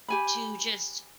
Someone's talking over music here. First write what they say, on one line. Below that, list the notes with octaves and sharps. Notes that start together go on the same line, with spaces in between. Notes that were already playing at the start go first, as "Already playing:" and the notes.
to, just,
G4 G#5 B5